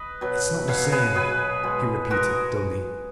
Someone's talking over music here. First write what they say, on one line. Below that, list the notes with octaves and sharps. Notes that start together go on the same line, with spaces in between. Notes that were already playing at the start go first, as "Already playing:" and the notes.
"It's not the same," he repeated dully.
Already playing: B4 D#5
B2 F#3
B2 F#3 C#5 F5
A#4
G#4 B4
B2 F#3 G#4 B4
B2 G#3
B2 G#3 F#4 A#4